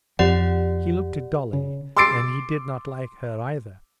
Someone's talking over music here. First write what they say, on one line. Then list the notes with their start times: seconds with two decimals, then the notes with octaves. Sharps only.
He looked at Dolly, and he did not like her either.
0.19 F2 F3 G4 D5 F#5
1.53 C#3
1.97 C6 D6 E6 A6 C7 D7